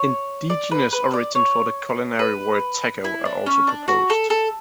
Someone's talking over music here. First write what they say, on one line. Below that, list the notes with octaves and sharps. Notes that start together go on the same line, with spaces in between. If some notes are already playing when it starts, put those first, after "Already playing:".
Indigenous origins for the culinary word "taco" are also proposed.
Already playing: C#5
D5
B4
B4
D5
C#5
B4
E4
D4
C#4
D4
F#4
A4
A4